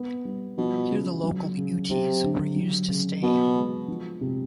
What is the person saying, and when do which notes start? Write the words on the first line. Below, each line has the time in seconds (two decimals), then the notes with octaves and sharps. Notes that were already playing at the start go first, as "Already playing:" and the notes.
Here the local Utes were used to staying.
Already playing: B3
0.25 G3
0.57 B2 F3
0.90 C#3
1.24 F#3
1.57 C#3
1.90 C3 F#3
2.23 D3
2.56 F#3
2.90 C#3
3.22 B2 B3
3.56 G#3
3.88 F3
4.21 C3